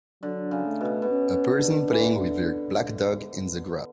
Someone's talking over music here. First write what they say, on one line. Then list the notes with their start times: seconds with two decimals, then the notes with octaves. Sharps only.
A person playing with their black dog in the grass.
0.23 D3 F#3
0.51 C#3
0.66 A3
0.81 B2
1.02 B2
1.11 C#4
1.55 D4
1.92 E3
1.99 D3